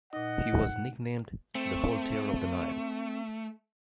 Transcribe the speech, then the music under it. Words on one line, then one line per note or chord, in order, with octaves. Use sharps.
He was nicknamed "The Voltaire of the Nile".
A#2 D#4 D#5 F#5
A3 C4